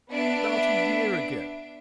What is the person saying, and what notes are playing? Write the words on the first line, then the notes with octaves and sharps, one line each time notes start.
"About a year ago."
B3 D4 E5 D7